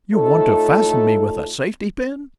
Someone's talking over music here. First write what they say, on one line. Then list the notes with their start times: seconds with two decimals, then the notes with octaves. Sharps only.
"You want to fasten me with a safety-pin?"
0.14 A2 A3 D#4 F4 A4